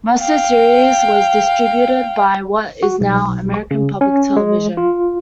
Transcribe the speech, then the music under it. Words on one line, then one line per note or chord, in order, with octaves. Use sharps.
Most of the series was distributed by what is now American Public Television.
F5 G5
F#4
B1
C#3
C#4
G#3
F4